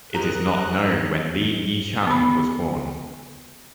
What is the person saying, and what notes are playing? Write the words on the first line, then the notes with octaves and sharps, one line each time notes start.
It is not known when Li Yichang was born.
C4 G4 G#4 A#4 D#5 A#5 F#6
B3 B5